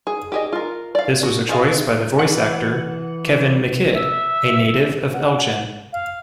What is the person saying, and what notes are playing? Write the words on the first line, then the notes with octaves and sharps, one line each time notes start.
This was a choice by the voice actor, Kevin McKidd, a native of Elgin.
G#4
G4 G#4 D#5
F4 A#4
D5 F5
F#4
F4 G#4 E5 F5
E3 F#5
E5
F#5
F5